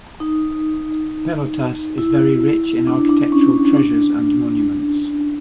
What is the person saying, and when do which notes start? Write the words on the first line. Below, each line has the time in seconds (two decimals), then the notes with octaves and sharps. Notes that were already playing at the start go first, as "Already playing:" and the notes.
Pelotas is very rich in architectural treasures and monuments.
0.20 D#4
1.98 E4
2.87 D4
3.09 D4
3.32 C#4
3.76 D4